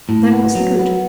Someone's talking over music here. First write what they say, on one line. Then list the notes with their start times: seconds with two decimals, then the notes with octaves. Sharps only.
"Then what's the good?"
0.09 A2
0.32 B3
0.55 F#3
0.79 B3